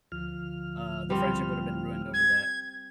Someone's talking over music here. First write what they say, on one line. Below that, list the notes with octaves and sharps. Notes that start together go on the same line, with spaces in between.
uh, the friendship would have been ruined over that.
D2 F3 F6
G3 C4
G#6